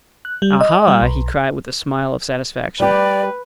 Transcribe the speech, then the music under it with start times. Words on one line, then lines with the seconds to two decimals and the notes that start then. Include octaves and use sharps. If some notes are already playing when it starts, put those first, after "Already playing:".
"Aha!" he cried with a smile of satisfaction.
0.25 F#6
0.42 G3
0.61 D#5
0.88 G3
1.02 B1
2.80 G3 G4 B4 D5